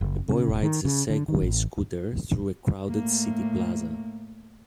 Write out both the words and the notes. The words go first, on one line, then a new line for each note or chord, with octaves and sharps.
A boy rides a Segway scooter through a crowded city plaza.
F#1
C#3
E1
D#3
C#3
D3
D#3
A1
A2 A#3